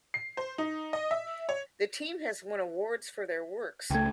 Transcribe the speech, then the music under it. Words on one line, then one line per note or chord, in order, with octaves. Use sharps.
The team has won awards for their works.
C7
C5
D#4
D#5
E5
C#5
C#2 A3 G5 G#6